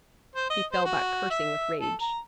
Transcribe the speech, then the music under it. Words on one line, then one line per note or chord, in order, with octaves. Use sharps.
He fell back cursing with rage.
C5
D#5
C5
F#4
E5
A4
A#5